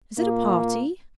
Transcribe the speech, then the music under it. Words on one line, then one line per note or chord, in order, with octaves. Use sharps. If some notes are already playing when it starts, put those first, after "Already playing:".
Is it a party?
A#2 A#3